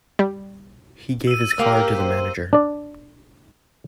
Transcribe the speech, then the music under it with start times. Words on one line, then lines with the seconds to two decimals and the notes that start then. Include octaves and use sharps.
He gave his card to the manager.
0.19 G3
1.27 E6 D#7
1.59 A#3 G4 A#4
1.96 C5
2.53 D4 D5